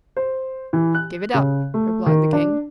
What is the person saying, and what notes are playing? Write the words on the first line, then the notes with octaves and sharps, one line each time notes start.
"Give it up," replied the King.
C5
E3
F#6
C#3
A3
D#3
D4